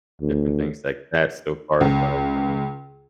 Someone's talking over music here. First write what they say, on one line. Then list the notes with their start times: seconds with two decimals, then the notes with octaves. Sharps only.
different things like that, so far is what I found
0.21 D2
1.81 C#2